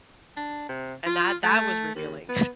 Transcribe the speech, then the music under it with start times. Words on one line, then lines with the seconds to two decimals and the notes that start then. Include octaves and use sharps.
And that that was revealing.
0.37 D4
0.69 C3
1.06 F4
1.44 A3
1.95 D#2
2.29 B3